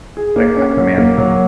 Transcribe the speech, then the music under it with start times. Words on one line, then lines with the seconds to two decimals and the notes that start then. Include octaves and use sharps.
like, I I mean,
0.17 G#4
0.36 A#3
0.57 C#4
0.77 F#3
0.98 A#3
1.18 F#3